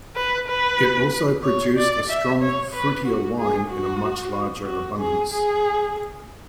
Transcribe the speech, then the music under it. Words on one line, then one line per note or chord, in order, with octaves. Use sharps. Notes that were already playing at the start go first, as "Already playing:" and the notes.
It also produced a strong, fruitier wine in a much larger abundance.
B4
B4
C#5
D5
E5
C#5
B4
F#4
G#4
F#4
F#4
G#4
G#4